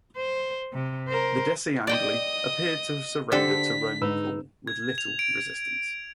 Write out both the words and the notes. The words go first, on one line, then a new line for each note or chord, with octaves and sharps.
The Deceangli appear to have surrendered to Roman rule with little resistance.
C5
C3
A#4 C5
D5 D#5 G5 D#6
D3 G4 A4 C5 D5 B6
G#2 D#4 B4 E6
G#6
F7
D7